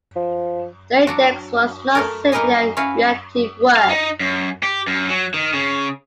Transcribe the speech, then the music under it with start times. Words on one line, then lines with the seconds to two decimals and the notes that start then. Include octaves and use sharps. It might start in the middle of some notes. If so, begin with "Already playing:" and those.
The "Index" was not simply a reactive work.
0.16 F3
1.07 F#3 D4 F#4
1.95 A3 A4 A#4
2.32 A#3 D#4 A#4 B4 D#5 G#5
2.77 C#4 E4 F#4 B4 F5
3.76 F5
3.89 D#4
4.20 F#2
4.63 G4
4.87 F#2
5.10 F#3
5.34 D#3
5.54 C#3